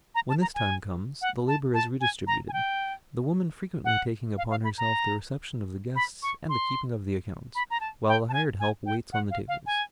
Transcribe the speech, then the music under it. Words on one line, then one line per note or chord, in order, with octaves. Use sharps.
When this time comes, the labor is redistributed, the woman frequently taking upon herself the reception of the guests and the keeping of the accounts, while the hired help waits on the tables.
A#5
A5
A#5
G#5
F#5
A5
A5
G#5
A#5
G#5
G5
F#5
F5
F5
B5
A#5
B5
C#6
C6
B5
A#5
A5
G5
A5
G#5
G#5
G5
F#5
F5
F5
G#5